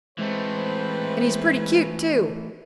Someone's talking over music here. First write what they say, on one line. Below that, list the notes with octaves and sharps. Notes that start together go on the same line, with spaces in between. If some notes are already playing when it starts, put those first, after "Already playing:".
And he's pretty cute, too.
E3 G#3 A3 C4 B4 C5